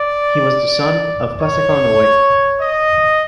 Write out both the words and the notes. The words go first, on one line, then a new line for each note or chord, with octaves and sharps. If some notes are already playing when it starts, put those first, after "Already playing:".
He was the son of Passaconaway.
Already playing: D5
C#5
D#5